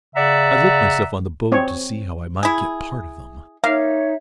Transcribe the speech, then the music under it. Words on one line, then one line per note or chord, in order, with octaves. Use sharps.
I looked myself on the boat to see how I might get part of them.
C#3 D5 E5 F#5 A#5
C4 C#5
E4 G#4
A#3 D#4 C#5 E5 F5